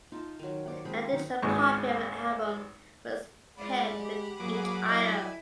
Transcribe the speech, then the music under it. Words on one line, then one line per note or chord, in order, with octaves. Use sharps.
A digital copy of the album was paired with each item.
D#4 F4 A5
D#3 F#3
C5 D5 F#5
F3 G#3 C4 B4
F#2 D#3 F#4
G#1 C#2 G#3 C#6
G#3 F4 D5 F#5 B5
G4
G#2 F#3 A#3 G#4 D6
E4 A4 B4 D5 D#5 G#5